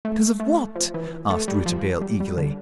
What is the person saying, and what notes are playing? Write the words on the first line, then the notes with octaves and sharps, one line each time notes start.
"Because of what?" asked Rouletabille eagerly.
A3
A3
F3
E3
A3
G3
F3
G3
G3
D3